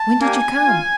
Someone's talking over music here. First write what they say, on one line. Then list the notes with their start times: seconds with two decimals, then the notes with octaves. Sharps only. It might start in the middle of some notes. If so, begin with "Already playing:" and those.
"When did you come?"
Already playing: A5
0.21 A#3 D4 G4 G#5
0.66 F4